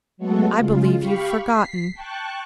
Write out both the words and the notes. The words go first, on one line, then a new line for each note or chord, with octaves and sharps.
"I believe you've forgotten."
F#3 G#3 A3 B3 F#4 A4
C#3 G#3 F4
G4 F5 B5 C#6
B6 C7
G5 A5 C#6 F#6